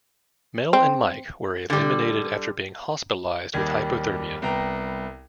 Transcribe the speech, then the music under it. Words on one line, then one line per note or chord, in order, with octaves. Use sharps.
Mel and Mike were eliminated after being hospitalized with hypothermia.
C4
D3 G3
D#2 D#3 G3 G#6
C2 B3 G5 A#5